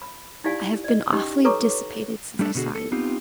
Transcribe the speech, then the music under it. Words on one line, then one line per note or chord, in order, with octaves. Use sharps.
'I have been awfully dissipated since I saw you.'
B5
D#4 E4 G4 D5 F5 G#5
D5 D#5
C#4 D#4 G4 D#5 G5
A4 B4 C#5 A#5 C#6 D6
G3 A3 D4 A4
B2 D3 B3 F#4 G#4
A4
B3 C4 D#4 F4 G4